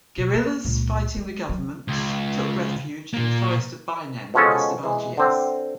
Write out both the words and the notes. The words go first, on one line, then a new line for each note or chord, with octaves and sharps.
Guerrillas fighting the government took refuge in the forest of Bainem west of Algiers.
B2
A#3
C#2 A#2
G#3
F#3
C#2
A#2 A#3
B2 F3 G#3 C#4 A4
E3 G#3
D3 C4